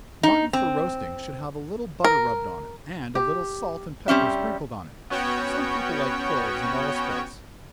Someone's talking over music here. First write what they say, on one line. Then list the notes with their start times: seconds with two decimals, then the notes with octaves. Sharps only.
Mutton for roasting, should have a little butter rubbed on it, and a little salt and pepper sprinkled on it--some people like cloves and allspice.
0.23 D#4
0.53 C4
2.04 A#4
3.15 G4
4.08 G3 C4 C#4 E5
5.10 B3 C#4 F#4 C#5 G5